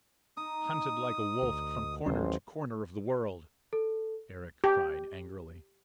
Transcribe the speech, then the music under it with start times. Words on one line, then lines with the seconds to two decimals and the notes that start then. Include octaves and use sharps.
"Hunted like a wolf from corner to corner of the world!" Eric cried angrily.
0.37 D#4 D#6
1.42 D2
2.06 A1 D#2 F#3 C#4 C5
3.73 A4
4.64 G4